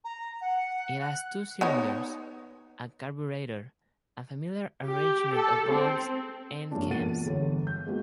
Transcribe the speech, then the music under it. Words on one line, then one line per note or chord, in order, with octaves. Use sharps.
It has two cylinders, a carburetor, a familiar arrangement of valves and cams.
A#5
F#5
F#6
B3 D#4 C#5
G4
A4
C4
F#2 A#3 C#4 D4
E2 A#2 A#4 F#5 A6 D#7
G1 E2 A4 C#5
G6
G#3 A#3 B3 F#4 G4